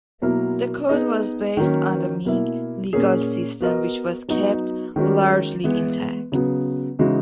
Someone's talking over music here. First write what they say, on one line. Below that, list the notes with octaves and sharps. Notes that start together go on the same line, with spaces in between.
The code was based on the Ming legal system, which was kept largely intact.
B2 F#3 A#3 E4 A#4
B3 D#4 G#4 D#5
D#3 F#3 A#3 C#4
B2 A#3 E4
A#2 A#3 C#4 G#4
B3 F#4 A#4 D#5
F#3 B3 D#4 F#4
D#3 G#3 C#4 F#4
E3 G#3 B3
C#3 F#3 B3
C#3 E3 G#3 D#4 F#4